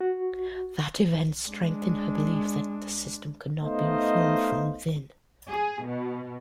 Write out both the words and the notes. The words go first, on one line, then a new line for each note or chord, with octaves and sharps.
That event strengthened her belief that the system could not be reformed from within.
F#4
G#3 D4
A3 B3 D#4 C5 D#5 F5
G#4
B2